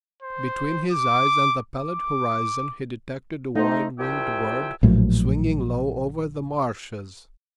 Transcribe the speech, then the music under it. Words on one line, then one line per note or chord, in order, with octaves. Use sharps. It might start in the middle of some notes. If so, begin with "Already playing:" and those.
Between his eyes and the pallid horizon he detected a wide-winged bird swinging low over the marshes.
C5
D6
D6
A3 D#4 C5
C2 F3 E5 G5 G#5
A#1 A2 F#3